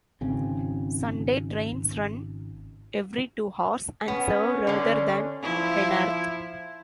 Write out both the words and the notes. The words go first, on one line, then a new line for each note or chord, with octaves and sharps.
Sunday trains run every two hours and serve rather than Penarth.
G#1 C#3 C4
B3 C#4
D3 D4
F3 E4